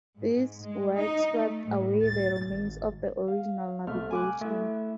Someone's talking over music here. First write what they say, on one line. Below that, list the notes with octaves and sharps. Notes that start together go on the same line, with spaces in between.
These works swept away the remains of the original navigation.
G#2
G#3
D#4
A3
A2
A6
G#1
F5
C2 A3 F6
G#5 D6 F#6
A3 E4 E5